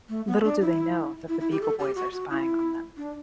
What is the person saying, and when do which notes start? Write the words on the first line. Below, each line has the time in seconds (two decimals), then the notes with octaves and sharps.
Little do they know that the Beagle Boys are spying on them.
0.09 A3
0.27 B3
0.44 D4
0.61 E4
1.29 E4
1.40 E4
1.51 G4
1.62 A4
1.79 G4
1.96 F#4
2.13 F#4
2.30 E4
2.97 D4